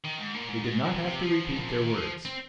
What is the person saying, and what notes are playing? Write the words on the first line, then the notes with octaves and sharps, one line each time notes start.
They did not have to repeat their words.
D#3
G#2
A#2
G#2
G#2
A#2
C3
F3
G#2
A#2
C3
D#3
F3
C4